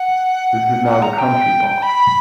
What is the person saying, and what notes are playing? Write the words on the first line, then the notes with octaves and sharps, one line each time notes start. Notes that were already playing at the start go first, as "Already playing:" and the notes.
This is now the Country Park.
Already playing: F#5
F#5
A#5
G5
B5